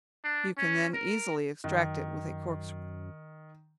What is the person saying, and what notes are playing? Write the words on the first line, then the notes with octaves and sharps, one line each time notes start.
You can then easily extract it with a corkscrew.
D4
C#4
A#4
F#2 D#3